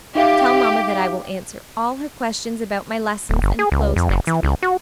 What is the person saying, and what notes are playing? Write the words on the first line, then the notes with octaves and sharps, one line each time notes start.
Tell mamma that I will answer all her questions about my lessons and clothes next week.
D#4 G4 E5 F5
D1
G1
G#4
C#2
F2
F#1
E3
C#2
F#4